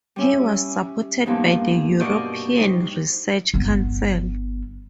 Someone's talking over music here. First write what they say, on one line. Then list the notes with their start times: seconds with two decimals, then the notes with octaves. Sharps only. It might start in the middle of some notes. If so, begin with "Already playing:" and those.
He was supported by the European Research Council.
0.16 G3 C#4 E4
1.26 G2 A#2 F3 B3 D#4
2.00 B2 A#4 D5 D#5 C#6 G6
2.55 G3 D#4 C5
3.54 G1 B3